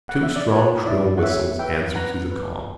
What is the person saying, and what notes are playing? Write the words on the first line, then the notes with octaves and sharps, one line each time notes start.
Two strong shrill whistles answered through the calm.
F#5
E5
D5
B4 C#5
E4 D5
F#5
E4 C#5 E5
B4 E5 G5
B4 F#5 A#5
B4